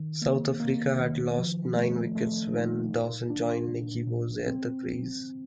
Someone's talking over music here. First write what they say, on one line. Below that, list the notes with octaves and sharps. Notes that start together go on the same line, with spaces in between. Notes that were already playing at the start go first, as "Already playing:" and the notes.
South Africa had lost nine wickets when Dawson joined Nicky Boje at the crease.
Already playing: D#3
A#3
A#3
D#3
F3
A3
A3
D#4
A#2
D4
A#2
A#2
C4